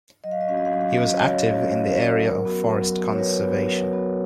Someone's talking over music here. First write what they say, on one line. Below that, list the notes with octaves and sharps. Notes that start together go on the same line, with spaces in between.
He was active in the area of forest conservation.
F#3 D#5
F5
D#5
C#4 F#4 F5
D#5
F5
F#3 D#5
F5
D#5
C#4 F#4 F5
D#5
F#3 C#5
C#4 F#4
F#3
C#4 F#4
F#3 A#4
B3 F#4
F#3
B3 F#4
C#5
F#3 B4
B3 F#4
F#3
B3 F#4